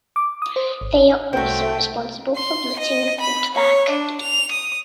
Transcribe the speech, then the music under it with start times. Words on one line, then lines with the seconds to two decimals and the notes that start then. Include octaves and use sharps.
They are also responsible for blitzing the quarterback.
0.16 D6
0.42 D#6
0.56 C5
0.81 G#1
1.33 C2 A3 F#4 C5 G5
2.36 C6
2.79 D#5
3.21 B5
3.55 C#5
3.90 D4
4.21 F7
4.52 D#6